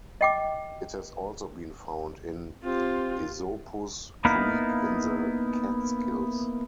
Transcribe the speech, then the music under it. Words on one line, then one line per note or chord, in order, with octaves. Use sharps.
It has also been found in Esopus Creek in the Catskills.
D#5 G5 D6
C4 F4 G4
A#3 B3 D#4 E4 F5